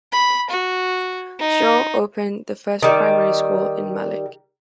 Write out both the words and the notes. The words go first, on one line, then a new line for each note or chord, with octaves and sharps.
Shaw opened the first primary school in Malek.
B5
F#4
D#4
D#3 G3